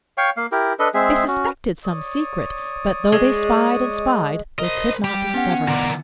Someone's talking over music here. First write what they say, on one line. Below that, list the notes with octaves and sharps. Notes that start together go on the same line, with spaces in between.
They suspected some secret, but though they spied and spied, they could not discover it.
C#5 F5 G5 C#6
A#3 F5
E4 G4 A#4
D4 A4 B4 D#5
G#3 C4 G#4 E5
C#4 F#4
C#5 D5 D#6
G#3
A#4 C5 D#5
G3 G4
B3 C#4 F#5
D3 E3 A#4 D5